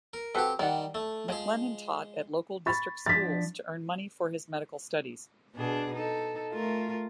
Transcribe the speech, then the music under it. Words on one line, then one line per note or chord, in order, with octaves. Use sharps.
MacLennan taught at local district schools to earn money for his medical studies.
A#4
C4 F#4 G4 A4 B4
D#3 G3 D5 F#5
A3
F3 G#3 G#4
B5 C#6 A6
F3 D4 A6 B6
B2 D4 G#4
D#4 A4
A3 F4 A#4